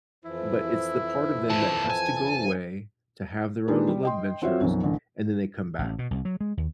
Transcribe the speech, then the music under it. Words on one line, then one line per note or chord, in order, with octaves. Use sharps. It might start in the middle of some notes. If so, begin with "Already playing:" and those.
but it's the part of them that has to go away to have their own little adventures and then they come back.
F2 E3 F3 E4
D#2 A#2 A5
G#5
D#3 G#3 D4 D#4 G4 B4
G3
D#5 G5 C6
C4 F4 F#4 C5 C#5 E5
B1 F#2 F3 B3
A1 D3
A1
B2
C2
F#3
G#3
D#2